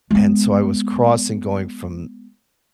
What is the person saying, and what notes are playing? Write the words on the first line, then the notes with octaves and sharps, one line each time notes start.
and so I was crossing going from
G#3 B3